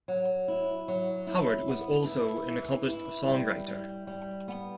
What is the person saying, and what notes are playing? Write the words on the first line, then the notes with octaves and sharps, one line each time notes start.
Howard was also an accomplished songwriter.
F#3
E4
F#3
E4
B3
E4
E3
E4
G3
G3
G3
B3